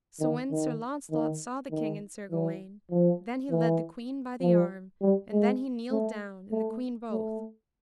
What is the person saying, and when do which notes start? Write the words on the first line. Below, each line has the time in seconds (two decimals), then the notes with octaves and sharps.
So when Sir Launcelot saw the king and Sir Gawaine, then he led the queen by the arm, and then he kneeled down, and the queen both.
0.20 D#3
0.51 D#3
1.11 D#3
1.71 D#3
2.31 E3
2.90 F3
3.50 E3
4.41 F3
5.01 G3
5.31 G#3
5.90 A3
6.51 A3
7.11 A3